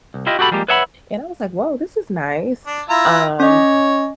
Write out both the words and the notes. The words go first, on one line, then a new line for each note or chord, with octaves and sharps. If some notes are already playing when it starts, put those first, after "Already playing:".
and I was like, "Woah, this is nice." Um,
C2
E4 F4 G4 D#5
F#4 G4 A4 B5
F3 G3 G#3 A#3 G4
B4 C#5 E5 F#5 A5 B5
D4
E4 F4 A#5
C#4 C#5 D#5